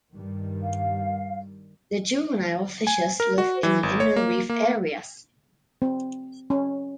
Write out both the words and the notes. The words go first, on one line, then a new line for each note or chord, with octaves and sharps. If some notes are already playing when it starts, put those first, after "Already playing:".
The juvenile fishes live in the inner reef areas.
G2 D#3 G3
F5
G#5
A#4
F#4
E3
G#1
C#5
A#3
A#3
C4
C#4